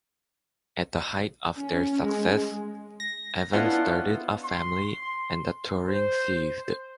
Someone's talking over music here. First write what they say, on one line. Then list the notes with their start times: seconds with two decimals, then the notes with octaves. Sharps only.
At the height of their success, Evan started a family and the touring ceased.
1.57 C#4
2.03 G#3
3.00 A#6
3.53 B3 C#4 D4 E4 F4 F#5
4.44 C6
5.88 C5